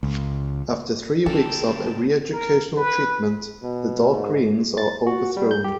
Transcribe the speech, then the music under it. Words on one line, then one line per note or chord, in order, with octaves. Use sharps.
After three weeks of re-educational treatment, the Dark Greens are overthrown.
C#2
C#2 A#3 C#4 A4 G5 A5
A#4
B4
B2
G#2
A6
F#4
G3
G6
G4